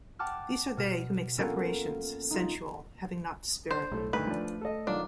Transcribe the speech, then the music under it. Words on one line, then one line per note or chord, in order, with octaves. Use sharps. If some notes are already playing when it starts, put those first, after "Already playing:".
These are they who make separations, sensual, having not the Spirit.
F#5 G5 A5 D6 F6
B2 F6
A#3 B3 C#4 F4 A4 A#4
D#4 F4
D4 C5
B1 A2 A3
D2 A2 D#3 B4
F3 A3 D4
A4 D#5
B1 D#3 D4 F4